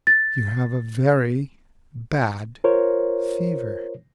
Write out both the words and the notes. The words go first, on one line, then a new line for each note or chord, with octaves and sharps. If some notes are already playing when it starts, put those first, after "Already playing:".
"You have a very bad fever."
A6
F4 A#4 C5 C#5